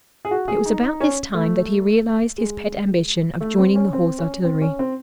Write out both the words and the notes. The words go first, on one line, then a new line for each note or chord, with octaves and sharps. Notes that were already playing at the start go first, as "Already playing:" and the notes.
It was about this time that he realized his pet ambition of joining the Horse Artillery.
G#4
F#4
G#4
D#4
D#4
C#4
A3
G#3
A3
C4
C#4
C4
C#4
C4
C#4
C4